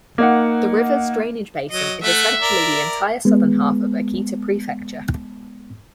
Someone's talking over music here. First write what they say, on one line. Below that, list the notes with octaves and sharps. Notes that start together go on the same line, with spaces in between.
The river's drainage basin is essentially the entire southern half of Akita Prefecture.
A#3 D#4 F#5
F#3 D#5
A3 E5 F#5
A#4 D5
G#3 B3